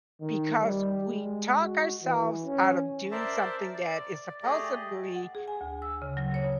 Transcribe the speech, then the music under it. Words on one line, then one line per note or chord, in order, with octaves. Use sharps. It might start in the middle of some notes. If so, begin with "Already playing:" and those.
because we talk ourselves out of doing something that is supposably
D#3
G3
G#3
F#4
E3
C#4
A#4 C5 D5 E5 A5
D5
A3 G4 G#4 D5 D#5
F#5
G#4
G#5
D2
E6
C#3
F#3
C#5